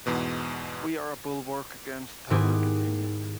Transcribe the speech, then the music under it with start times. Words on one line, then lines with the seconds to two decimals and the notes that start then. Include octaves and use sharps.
We are a bulwark against public opinion.
0.06 E2 G#2 B2 E3
2.30 G#2 D#3 B3 E4 G4 G#4